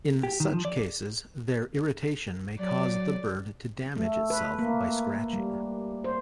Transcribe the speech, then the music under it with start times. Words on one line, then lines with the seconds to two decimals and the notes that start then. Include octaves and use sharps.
In such cases, their irritation may cause the bird to damage itself by scratching.
0.23 G4
0.40 D#3
0.53 F3
0.65 D5
2.59 F#3 D5
3.97 A3
4.30 B4
4.59 A#3
5.33 G3
6.04 C5